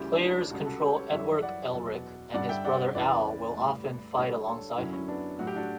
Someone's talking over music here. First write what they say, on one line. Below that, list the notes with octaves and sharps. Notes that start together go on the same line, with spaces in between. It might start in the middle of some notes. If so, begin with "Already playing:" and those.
Players control Edward Elric, and his brother Al will often fight alongside him.
Already playing: D2 C#3 E3 G3 E4 G4
D4
C#4 E4
C#2 C#3 G3 D4 F#4
F#4 A4
G4 B4
A4 C#5
F#2 E3 G3 C#5 E5
D5 F#5
E2 B2 F#3
G2 D3 G3 D5 F#5
E5 G5
D5 F#5
E2 C#3 E3 B4 D5
A2 G3
D2 D3 G3 A4 C#5
A4 C#5
F#2 D3 F#3 C#4 E4
C#4 E4
B3 D4
A2 F#3 F#4
G4
D4 F#4